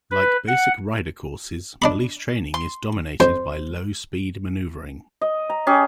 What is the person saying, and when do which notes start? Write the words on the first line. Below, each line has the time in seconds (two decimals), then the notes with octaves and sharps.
Like basic rider courses, police training is dominated by low-speed maneuvering.
0.11 B4
0.48 F#5
1.82 D4 D#5 B5
2.54 C6
3.20 F2 C5
5.21 D#5
5.50 A#5
5.67 C#4 G4 G#4